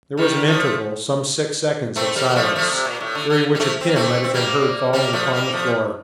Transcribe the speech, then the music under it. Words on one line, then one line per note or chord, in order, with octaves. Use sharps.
There was an interval--some six seconds--of silence, during which a pin might have been heard falling upon the floor.
D#3 G3
F3 A3
A3 C4
G3 A#3
A#3
F3 A3
F3 A3
C3
A#2
A2
D3
D3
G3
F3 A3
C4
A#3
A3 C4
C4
G3 A#3
G3 A#3
F3 A3
G3 A#3
F3 A3